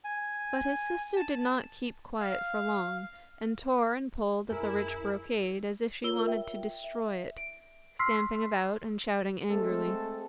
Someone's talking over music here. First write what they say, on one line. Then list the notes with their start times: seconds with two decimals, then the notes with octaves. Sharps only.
But his sister did not keep quiet for long, and tore and pulled at the rich brocade as if she wanted to destroy it, stamping about and shouting angrily.
0.04 G#5
1.16 A5
2.21 F5
4.51 F#2 E4 G#4 A#4
6.04 F4 A#4 C#5 E6 G7
6.27 E5 G5
6.84 E5
7.38 D7
7.99 C6 C#6 E6 F6 B6 C7
9.50 G#3 A3 C4 A4